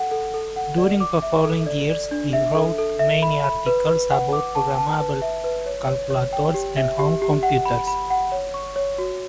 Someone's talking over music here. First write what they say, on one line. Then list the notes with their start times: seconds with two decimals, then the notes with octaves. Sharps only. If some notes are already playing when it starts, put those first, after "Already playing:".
During the following years he wrote many articles about programmable calculators and home computers.
Already playing: A4 F#5
0.12 A4
0.34 A4
0.56 F#5
0.78 D5
1.00 D6
1.22 E5
1.45 A4
1.66 D5
1.90 D5
2.11 D4
2.33 E5
2.55 A4
2.78 A4
2.99 E5
3.22 B5
3.44 B5
3.66 B4
3.88 B4
4.10 F#5
4.33 D6
4.55 A5
4.78 A5
4.99 B4
5.22 E5
5.44 B4
5.66 C#5
5.88 C#5
6.10 C#5
6.33 G5
6.54 G4
6.77 E5
6.99 G4
7.22 G4
7.43 F#5
7.65 B5
7.87 B5
8.10 F#5
8.32 C#5
8.54 C#6
8.76 C#5
8.98 F#4